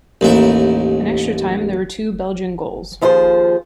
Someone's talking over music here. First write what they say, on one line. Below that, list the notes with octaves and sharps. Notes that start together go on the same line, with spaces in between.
In extra time, there were two Belgian goals.
A1 D#2 E4
D#2 F3 E4 F4 G#4 C5